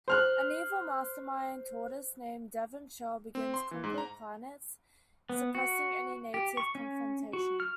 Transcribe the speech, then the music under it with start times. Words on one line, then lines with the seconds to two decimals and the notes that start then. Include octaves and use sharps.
An evil mastermind tortoise named Devan Shell begins conquering planets, suppressing any native confrontation.
0.08 C5 F6 F#6
3.35 C4
3.54 C6
3.71 E3
3.84 G#2
3.98 A#5
5.29 B3
5.55 F#4
6.34 G4
6.57 C#6
6.75 C#4
7.33 F#4
7.60 F6